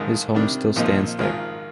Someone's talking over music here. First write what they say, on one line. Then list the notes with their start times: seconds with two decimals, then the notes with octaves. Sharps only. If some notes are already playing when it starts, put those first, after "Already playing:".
His home still stands there.
Already playing: A#1 G#2 D#3
0.34 C3 D#3 G3 D4
0.76 A#1 A#2 F3 A#3 D#4
1.19 G#1 G#2 D#3 A#3 F4